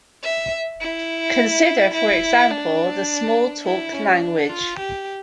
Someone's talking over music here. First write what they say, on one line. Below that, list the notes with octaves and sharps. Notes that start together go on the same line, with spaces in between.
Consider for example the Smalltalk language.
E5
E4
E4
D4
E4
C#4
D4
F4
G4